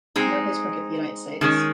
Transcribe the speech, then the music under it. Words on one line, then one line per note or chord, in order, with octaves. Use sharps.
He now plays cricket for United States.
G#3 C4 D#4
D#3 G#3 C#4